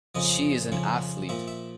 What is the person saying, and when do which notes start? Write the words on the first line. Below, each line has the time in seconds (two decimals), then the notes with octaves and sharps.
She is an Athlete.
0.15 F2 C#3 F3 D#5
0.72 F2 C#3 F3
1.29 A#2 F3 E5
1.48 E5